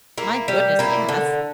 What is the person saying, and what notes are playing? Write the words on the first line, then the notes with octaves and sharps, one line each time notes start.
"My goodness, yes!"
A#3 E4
G3
A#3 E4
D3